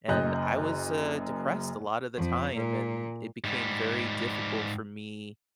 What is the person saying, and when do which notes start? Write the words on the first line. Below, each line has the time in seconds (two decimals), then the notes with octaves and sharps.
and I was, uh, depressed a lotta the time and it became very difficult for me
0.08 F#1 F#2 D#5 F#6 G6
2.16 F2
2.54 A#2
3.44 G#2 G3